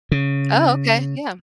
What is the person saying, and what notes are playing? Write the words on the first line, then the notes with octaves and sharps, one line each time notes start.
Oh, okay, yeah.
C#3